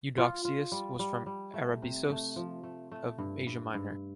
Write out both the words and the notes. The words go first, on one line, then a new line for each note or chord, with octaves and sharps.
Eudoxius was from Arabissos of Asia Minor.
F4
F4
G3
G3
G3
A3
C3
A3
F3
A3
A3
G2
G2
G2